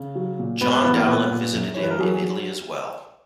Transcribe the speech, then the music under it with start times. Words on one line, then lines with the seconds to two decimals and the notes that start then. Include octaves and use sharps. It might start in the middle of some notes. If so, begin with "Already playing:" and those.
John Dowland visited him in Italy as well.
Already playing: C#3
0.15 F#3
0.39 A#2
0.61 G#2 B3 B4
0.73 B3 B4
0.84 E3 B3 B4
0.96 A#3 A#4
1.07 A#2 B3 B4
1.30 A#2
1.53 F#2
1.74 E3 C#5
1.83 B4
1.90 A#4
1.99 F#3 G#4
2.22 F#3